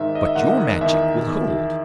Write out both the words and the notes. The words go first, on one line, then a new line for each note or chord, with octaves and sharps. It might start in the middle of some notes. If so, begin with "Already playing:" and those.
But your magic will hold.
Already playing: G#2 D#3 E5
D#5
E5
G#2 D#3 F#5
E2 D#3 E5
E2 D#3